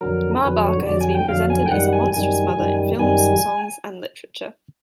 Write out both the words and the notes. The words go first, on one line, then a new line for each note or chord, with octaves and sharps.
Ma Barker has been presented as a monstrous mother in films, songs and literature.
F2 D3 F#3 A#4
F2 D3 F#3 B4
C#5
F2 D3 F#3 D5
G#5
G5
F2 D3 F#3 F5
G#5
G5
F#2 D#3 G3 F#5
G#5
F#2 D#3 G3 G#5
F#2 D#3 G3
F#2 D#3 G3 G#5